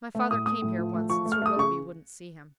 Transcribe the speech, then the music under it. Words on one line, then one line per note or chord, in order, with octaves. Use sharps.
My father came here once, and Sir Willoughby wouldn't see him.
A3
A2 D#6
A3 D#6
A2
F3
A3
F3 C#6
A3
F6
A3 D#6
C#3 C#6